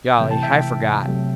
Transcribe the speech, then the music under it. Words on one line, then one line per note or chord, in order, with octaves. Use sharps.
Golly, I forgot.
C3 E3 A3 G5
A5
E5 G5
C3 F#3 A3